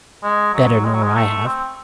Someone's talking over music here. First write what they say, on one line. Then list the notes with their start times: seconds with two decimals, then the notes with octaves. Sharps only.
Better nor I have.
0.23 G#3
0.54 F#3
0.84 G#3
0.94 F#3
1.02 G#3
1.15 A3
1.46 C4